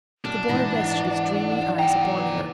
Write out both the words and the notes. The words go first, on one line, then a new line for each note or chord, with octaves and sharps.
The boy rested his dreamy eyes upon her.
F#2 D4
G#2 E3 D#4 F#5
D5 G5 A#5
B4